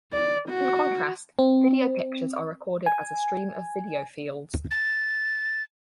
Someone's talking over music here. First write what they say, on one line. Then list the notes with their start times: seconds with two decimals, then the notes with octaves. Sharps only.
In contrast, video pictures are recorded as a stream of video fields.
0.13 D5
0.49 F#4
1.39 C4
2.86 G#5
4.71 A6